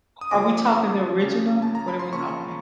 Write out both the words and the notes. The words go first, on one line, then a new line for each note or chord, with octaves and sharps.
are we talking the original? What are we talking?
D#6
C#3 F3 A#3 C#4 D6
C#3 F3 A#3 C#4
A5
A#5
B5
C6
C#3 F3 A#3 C#4 C#6